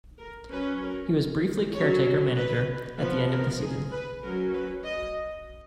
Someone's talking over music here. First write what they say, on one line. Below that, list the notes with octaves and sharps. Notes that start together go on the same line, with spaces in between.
He was briefly caretaker manager at the end of the season.
A#4
F#3 C#4 B4
A#4
F#3 C#4 C#5
B4
F3 B3 B4
A#4
G#4
B4
F#3 C#4 A#4
B4
D#5